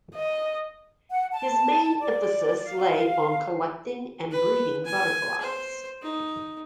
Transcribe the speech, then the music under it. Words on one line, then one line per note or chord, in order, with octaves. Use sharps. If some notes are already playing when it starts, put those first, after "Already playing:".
His main emphasis lay on collecting and breeding butterflies.
D#5
F#5
A5
D5
F5
B4
G#5
C5
D#4